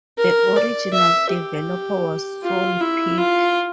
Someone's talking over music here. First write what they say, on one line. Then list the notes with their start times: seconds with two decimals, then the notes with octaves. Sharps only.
The original developer was Saul Pick.
0.18 A#4
0.56 D5
0.93 E5
1.30 G4
2.43 F4
2.81 E4
3.18 F4